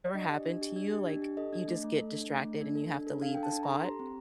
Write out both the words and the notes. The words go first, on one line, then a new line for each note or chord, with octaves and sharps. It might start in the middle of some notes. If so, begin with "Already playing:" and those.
ever happened to you? Like, you just get distracted and you have to leave the spot?
D5
D4 D#5
G4
D4
G4
D4
G4
D4
G4
A4 D#5
D4
A3
A3
A4
D4
A3
A3
D4
A4
D4
A4
D4 F5
G5
A4
A5
D4
A#5
A4
C6
G4 A#5
C4